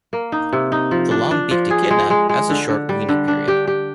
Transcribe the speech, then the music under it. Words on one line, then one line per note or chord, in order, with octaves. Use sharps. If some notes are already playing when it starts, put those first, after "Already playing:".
The long-beaked echidna has a short weaning period.
A#3
D#4
C3
D#4
F3
D4
D4
F3
G#4
G#3
G#3
G#3
D3
D3
G3
D3
D4
G4
G4